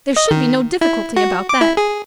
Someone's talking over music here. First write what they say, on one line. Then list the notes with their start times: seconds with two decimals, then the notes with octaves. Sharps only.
There should be no difficulty about that.
0.16 D#5
0.31 D#3
0.81 E4
1.17 F#4
1.49 D6
1.61 E4
1.77 G#4